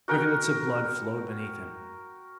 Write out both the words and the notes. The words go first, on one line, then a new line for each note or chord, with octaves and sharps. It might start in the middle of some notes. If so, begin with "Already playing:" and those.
Rivulets of blood flowed beneath him.
F#4 A#4 F#5 G5